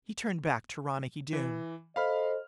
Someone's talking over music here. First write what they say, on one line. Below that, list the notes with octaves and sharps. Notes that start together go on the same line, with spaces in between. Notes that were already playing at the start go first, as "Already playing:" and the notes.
He turned back to Ronicky Doone.
E3
A4 C5 D#5 F5 B5 F6